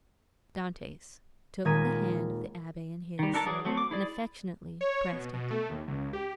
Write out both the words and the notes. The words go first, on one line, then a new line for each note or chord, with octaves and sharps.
Dantes took the hand of the abbe in his, and affectionately pressed it.
D#1 G#3 A#4 G#6 B6 D#7
D#3 G3
D4 A4 A#4 D5 A5
E3 F#3 G#4 D5
F#3 A3 C4
D6
E4 G#4 D5
C#5
B2
B2
A3
D#2
C#2
G4